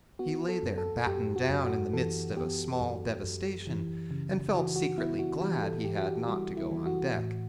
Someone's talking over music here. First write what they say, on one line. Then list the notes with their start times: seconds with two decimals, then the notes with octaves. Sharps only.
He lay there battened down in the midst of a small devastation, and felt secretly glad he had not to go on deck.
0.19 B3 F#4
0.49 A4
0.63 F#2
0.78 A4
1.07 F#2 G4
1.36 F#4
1.50 F#2
1.64 F#4
1.93 E3 A4
2.37 B3 G4
2.80 F#2
3.24 F#2
3.67 E3
4.11 C#3
4.54 E3 F#4
4.76 F#4
4.98 B3 E4
5.19 F#4
5.41 E3 G4
5.63 A4
5.84 E3 G4
5.97 F#4
6.06 G4
6.28 G3 F#4
6.57 E4
6.71 E3
6.86 F#4
7.14 A2